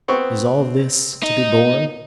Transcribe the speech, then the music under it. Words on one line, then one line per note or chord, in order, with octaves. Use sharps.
Is all this to be borne?
B3 C4 C#6
D#4